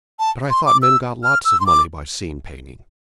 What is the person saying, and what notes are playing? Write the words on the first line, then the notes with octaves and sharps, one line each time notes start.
"But I thought men got lots of money by scene-painting?"
A5
C6
D6
E6
F6
E6
C6
D6